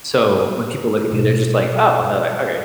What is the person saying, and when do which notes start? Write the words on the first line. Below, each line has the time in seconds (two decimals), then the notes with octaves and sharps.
so when people look at me, they're just like, "Oh," and they're like, "Okay,"
1.11 B2 D4